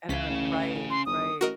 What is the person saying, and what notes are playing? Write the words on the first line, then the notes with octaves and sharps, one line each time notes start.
And Earth, right, right.
C#2 C#4 F5 B6
A1
C6
G1 D#6
A1 F#4 A#4 D#5